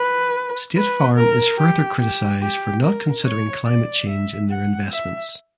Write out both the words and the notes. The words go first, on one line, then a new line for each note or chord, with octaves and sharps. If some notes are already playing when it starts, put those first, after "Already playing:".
State Farm is further criticized for not considering climate change in their investments.
Already playing: B4
B4
A#4
G4
G4
G4
A#4
C#5
D5
E5
F#5
E5